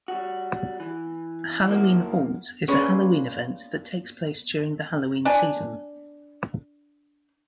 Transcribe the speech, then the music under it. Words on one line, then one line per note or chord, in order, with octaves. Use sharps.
Halloween Haunt is a Halloween event that takes place during the Halloween season.
G3 F#4
E3
F3 A#3 E4 F#4
A#3 C#4 D4 F4 G#4 B4
D4 G#5